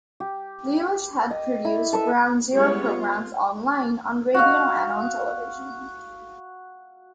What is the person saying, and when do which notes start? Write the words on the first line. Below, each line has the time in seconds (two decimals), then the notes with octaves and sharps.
Lewis has produced Ground Zero programs online, on radio and on television.
0.20 G4
1.30 D#5
1.65 E4
1.93 A4 B4 E5
2.53 G3 G#3 B3 C#4 E4 C#5
2.83 F4
4.34 F#4 F5